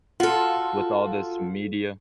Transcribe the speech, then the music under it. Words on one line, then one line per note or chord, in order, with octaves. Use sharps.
with all this media.
F4 F#4 A4